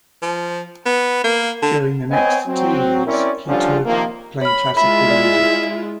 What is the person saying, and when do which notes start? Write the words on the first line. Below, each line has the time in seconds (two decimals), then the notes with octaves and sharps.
During the next two years, he toured playing classical music.
0.22 F3
0.86 B3
1.24 A#3
1.62 D3
2.11 B3 C4 C#5 D#5 G#5
2.47 F#3 C4
3.07 C4 C#4 E4 A#4 C#5 D5
3.47 D3 F3 G3 C#4 D4 F4
3.86 C3 D#3 F3 A#3
4.41 C#5 B5 F6
4.77 G#3 E4 F4 E5 B5
5.10 D5